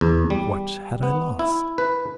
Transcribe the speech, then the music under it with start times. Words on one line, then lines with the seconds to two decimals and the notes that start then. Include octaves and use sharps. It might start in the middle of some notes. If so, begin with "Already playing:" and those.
What had I lost?
0.01 E2
0.30 G3
1.03 B3
1.39 E4
1.78 B4